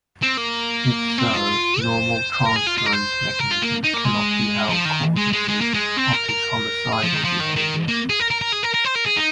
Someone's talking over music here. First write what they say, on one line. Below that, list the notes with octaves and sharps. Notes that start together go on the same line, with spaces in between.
If so, normal transference mechanisms cannot be held causative of his homicidal behavior.
C4
A#3
C4
F4
C5
A#4
G#4
F4
F4
A#4
C5
A#4
F4
A#3
D#4
A#3
G#3
F3
D#3
G#3
G#3
G#3
A#3
G#3
C4
A#4
A#4
G#4
F3
D#3
F3
D#3
D#3
A#3
G#4
A#4
A#4
A#4
G#4
A#4
A#4
C5
A#4
G#4
D#4